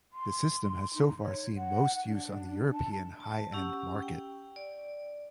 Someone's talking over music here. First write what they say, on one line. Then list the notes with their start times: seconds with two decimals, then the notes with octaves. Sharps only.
The system has so far seen most use on the European high end market.
0.13 C6
0.94 D#4
1.22 C#5
1.56 F#5
2.07 D4
2.73 A5
3.20 A5
3.52 C#4 G4 F#5 E6
4.02 G5
4.56 D5